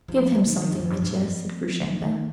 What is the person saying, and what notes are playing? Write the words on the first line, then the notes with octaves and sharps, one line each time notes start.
"Give him something, Mitya," said Grushenka.
F3
F3
D#3
D3
D#3
G2
F2
G2
G2
F2
D#3
D#3